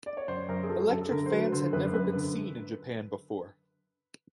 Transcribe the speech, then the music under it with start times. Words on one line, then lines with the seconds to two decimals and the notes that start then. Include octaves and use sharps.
Electric fans had never been seen in Japan before.
0.06 D5
0.17 C#5
0.28 F#2 C5
0.49 F#2 A#4
0.63 G#4
0.69 F#3 A4
0.90 F#2 A4
1.01 A4
1.11 D3 A#4
1.26 C5
1.31 F#3 B4
1.52 D3 C5
1.73 F#2 B4
1.94 F#2 B4
2.15 D3